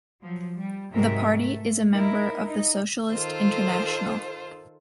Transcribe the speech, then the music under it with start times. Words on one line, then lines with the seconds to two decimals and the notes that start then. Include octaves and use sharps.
The party is a member of the Socialist International.
0.22 F3 F#3
0.56 G3
0.92 G#2 C3 F#3 G#3 A#4 E5
1.41 A3
1.92 D#4 E4 A#4
2.47 D#4
3.10 D#3 F4 A4 C5